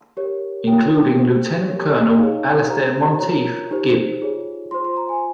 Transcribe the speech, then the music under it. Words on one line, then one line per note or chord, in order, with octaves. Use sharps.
Including Lieutenant Colonel Alistair Monteith Gibb.
G4 A#4 C#5
F4 A#4 C#5 G5
G4 C5
G4 A#4 C#5
D#5
D#4 G#4 C#5 F5
G4 C5 A#5
F4 A#4 C#5 A#5
D#4 G4 C5
F4 G#4 C#5
F4 C5 C6
C6
A#5
G#5